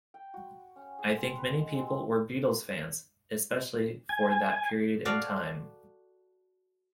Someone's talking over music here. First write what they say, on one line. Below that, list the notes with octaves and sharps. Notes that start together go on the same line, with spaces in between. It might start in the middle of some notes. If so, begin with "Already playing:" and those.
I think many people were Beatles fans, especially for that period in time.
G5
F#4
C#4
G#4
C4
B4
G#3
C4
G#5
F#4 A4 D5 F5